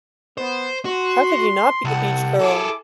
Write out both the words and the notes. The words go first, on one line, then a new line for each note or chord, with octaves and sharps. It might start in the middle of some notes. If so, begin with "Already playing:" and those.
How could you not be a beach girl?
B3 C5
F#4 C6
C2 F#5 G5 A5
E4 G#4 A4 D6